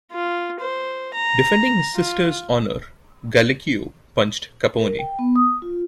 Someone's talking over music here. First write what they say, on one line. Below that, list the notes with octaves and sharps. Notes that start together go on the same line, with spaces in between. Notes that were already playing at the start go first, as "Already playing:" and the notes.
Defending his sister's honor, Gallucio punched Capone.
F4
C5
A#5
F4
A#4
G5
B3
D#6
F4